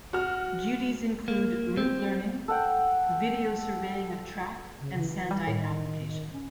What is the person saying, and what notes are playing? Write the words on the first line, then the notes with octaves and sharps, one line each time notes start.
Duties include route learning, video surveying of track and sandite application.
F#4 F6
A#3
C4
A4 F#5 G5
C#3
E3
G3
A2 D#3
C#4